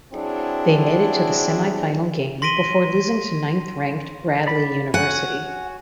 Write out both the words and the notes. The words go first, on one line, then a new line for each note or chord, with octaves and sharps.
They made it to the semifinal game before losing to ninth ranked Bradley University.
F#3 C4 D4 E4 G#4
C6 A#6 B6 D7 D#7 G7
D5 B5
F#4 C#5 F#5 G#5